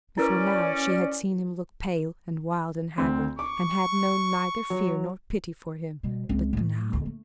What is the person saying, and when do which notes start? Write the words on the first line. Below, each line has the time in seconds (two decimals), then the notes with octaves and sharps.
Before now she had seen him look pale and wild and haggard, and had known neither fear nor pity for him. But now!
0.17 C#4 E4 A#4 B4 D5
2.98 D2 C4
3.39 C#6 D6
4.70 F#3
6.03 B2 G3
6.29 C#2 C4
6.53 A2 A3
6.93 D2 F4
7.06 A3